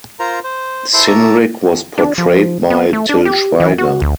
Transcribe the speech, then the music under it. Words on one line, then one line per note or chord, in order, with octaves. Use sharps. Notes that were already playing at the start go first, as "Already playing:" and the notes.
Cynric was portrayed by Til Schweiger.
F4 A#4 C5 A#5
C5
E4 A4 C5 C6
A#4 C#5 E5 A5 A#5 D6
D4
F3
B3
A3
D4
G4
E3
F#4
D2